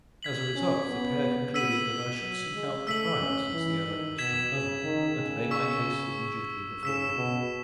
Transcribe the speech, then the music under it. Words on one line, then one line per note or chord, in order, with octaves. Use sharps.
As a result the pair concluded that I should seek out the Prior, since the Abbot was from home, and lay my case immediately before him.
G#6 B6 F#7
C#4
B3
B3 E6 B6 D#7 F#7
F#3
G#3
A3 E6 B6 F#7
C#4
E3
D#3
B2 G#6 B6 E7
C#3
D#3
C#3
C#6 E6 B6
C#3 E6 B6 E7
B2